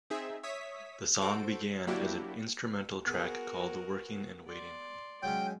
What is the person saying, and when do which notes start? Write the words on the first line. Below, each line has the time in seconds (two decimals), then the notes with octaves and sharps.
The song began as an instrumental track called "Working and Waiting".
0.10 C4 D#4 G#4 E5
0.43 C#5 E5 D#6 B6
1.21 F#4 A4 C5 D7
1.87 F#3 A#3 D4 E4 F#4 G4
3.06 B3 F#4 G#4 A#4
4.48 D5 C6
5.23 F#3 G#3 C#4 G5